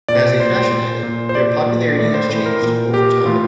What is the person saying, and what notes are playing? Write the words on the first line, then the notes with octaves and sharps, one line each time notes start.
As a fashion item, their popularity has changed over time.
A#2 D5
A#2 C5
C5
A#2
A#2
C5
A#2 D5
A#2
A2 E3 D5
C5
A2 E3 C5
A#4
A#2
A#2 G4
A2 E3 F4